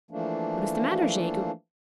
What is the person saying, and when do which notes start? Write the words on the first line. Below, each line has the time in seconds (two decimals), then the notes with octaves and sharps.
'What is the matter, Jegu?
0.11 E3 F3 A3 A#3 D4